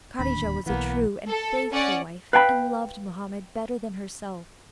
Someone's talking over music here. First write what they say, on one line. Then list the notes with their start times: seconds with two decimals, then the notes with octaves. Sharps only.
Kadijah was a true and faithful wife and loved Mohammed better than herself.
0.19 D1 D#2 D4 B5
0.66 B1 E3 A#3 B3
1.30 A4
1.73 C#4 D5 F#5
2.33 B4 F5 G5 G#5 B5